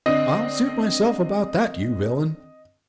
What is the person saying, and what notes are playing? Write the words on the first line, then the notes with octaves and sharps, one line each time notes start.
"I'll suit myself about that, you villain!"
D3 C4 D4 D#5